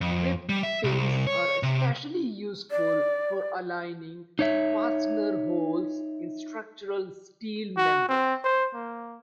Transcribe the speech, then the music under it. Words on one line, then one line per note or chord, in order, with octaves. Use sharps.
Drift pins are especially useful for aligning fastener holes in structural steel members.
F2
G3
E5
C2
C#5
C3
D5
D#4 C#5 E5
F#4
C4
C5
A#3